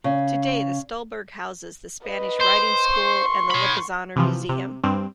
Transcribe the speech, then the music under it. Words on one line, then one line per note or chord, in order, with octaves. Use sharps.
Today the Stallburg houses the Spanish Riding School and the Lipizzaner Museum.
C#3
B4 D#5
C5
C6 C#6
C#5 B5
C3 E3 F3
C3
G2 C4